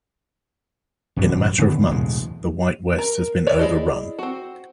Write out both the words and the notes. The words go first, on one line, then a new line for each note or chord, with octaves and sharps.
In a matter of months, the white West has been overrun.
G#1 F#2 B2 G3
D#1 D3 E3 B3
B1 E2 A2 G#3
A#4
C#5 D5 E5
E4 G#4 D5 D#5
C4 F#4